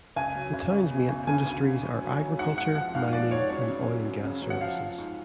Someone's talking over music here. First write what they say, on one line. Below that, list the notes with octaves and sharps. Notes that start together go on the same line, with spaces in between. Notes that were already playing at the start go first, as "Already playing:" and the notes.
The town's main industries are agriculture, mining and oil and gas services.
C#2 G#5
F#3
C#2
C#2
B2
C#2
C#3 G#5
D2
C#3
D2
F#3
F#3
G#2 F#5
G#2 F#5
F3 F#5
G#2 F5
F3 D5
G#2 C#5
F#2 C#5
C#3
F#3
F#2
C#3
F#3
F#5
F3 F5
F3
G#2